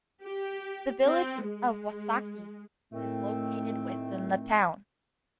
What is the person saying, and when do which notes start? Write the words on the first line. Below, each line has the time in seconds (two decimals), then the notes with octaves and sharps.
The Village of Wausaukee is located within the town.
0.22 G4
1.05 C4
1.45 G#3
2.92 A2 D#3 A3 C4